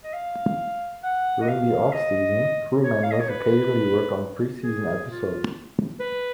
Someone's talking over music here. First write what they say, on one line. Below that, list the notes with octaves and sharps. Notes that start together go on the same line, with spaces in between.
During the off-season, crew members occasionally work on pre-season episodes.
D#5
F5
F#5
D#5
F5
D#5
C#5
F5
D#5
C#5
B4
G#4
F4
B4